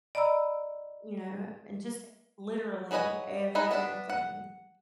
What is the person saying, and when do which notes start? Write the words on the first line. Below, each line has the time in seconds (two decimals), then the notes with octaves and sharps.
you know. and just, literally, every little thing.
0.15 D5 D#5 A#5 B5 E6
2.91 F#3 G#4 B4 D#5 G#5
3.55 D#4 E4 G#4 B4 D#5
3.71 B3 D4 E5 A5
4.10 F#5